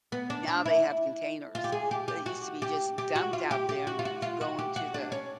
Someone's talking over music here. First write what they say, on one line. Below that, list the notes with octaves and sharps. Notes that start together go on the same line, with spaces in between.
now they have containers, but it used to be just dumped out there and would f go into the
B3
D4
D4
E4
F4
G4
G#4
G4
G4
F#4
G4
G4
F#4
F4
G4
G4
F#4
F4
F#4
F4
F#4
G4
F#4
D4
C#4